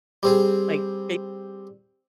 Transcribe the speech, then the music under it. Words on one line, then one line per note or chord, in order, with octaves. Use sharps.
like, they
G3 C4 G#4